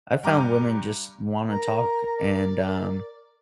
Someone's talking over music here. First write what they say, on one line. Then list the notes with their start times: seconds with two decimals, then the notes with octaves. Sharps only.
I found women just wanna talk, and, um,
0.23 G2 G5 A#5 D6 F6 D#7
1.49 A#4 A#5
2.17 D5